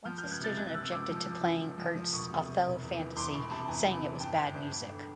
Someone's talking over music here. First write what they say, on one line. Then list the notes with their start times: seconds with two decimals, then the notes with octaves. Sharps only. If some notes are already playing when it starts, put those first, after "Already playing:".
Once a student objected to playing Ernst's "Othello Fantasy", saying it was bad music.
0.05 F3 F6 G6
0.18 F6 G6
0.23 C#2
0.31 F#6 G#6
0.40 C3 G6 A6
0.57 C3 F#6 G#6
0.74 C3 E6 F#6
0.92 C#2 D6 E6
1.09 F3
1.26 F3
1.44 C#2
1.61 C#2
1.78 F3
1.95 F3
2.13 E1 C#6 D#6
2.30 C3
2.47 C3
2.65 E1
2.82 E2
2.99 E3
3.16 E2 C6 D6
3.33 E1 B5 C#6
3.50 C3 A5 B5
3.68 E2 G#5 A#5
3.86 C3
4.03 E3
4.20 G1 G5 A5
4.37 G1
4.55 G1
4.72 G1
4.89 D3